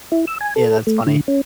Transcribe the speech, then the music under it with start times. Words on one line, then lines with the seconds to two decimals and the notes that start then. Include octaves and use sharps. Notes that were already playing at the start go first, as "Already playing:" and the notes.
Yeah, that's funny.
0.12 E4
0.27 E6
0.41 G#5
0.56 A4
0.87 A3
1.07 D3
1.28 C#4